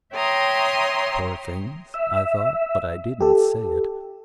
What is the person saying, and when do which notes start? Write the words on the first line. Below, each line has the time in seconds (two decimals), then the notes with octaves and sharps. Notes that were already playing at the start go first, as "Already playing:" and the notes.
"Poor things," I thought, but I didn't say it.
0.13 C#5 E5 G5 A#5 C6 D#6
1.94 E5
3.21 G4 A4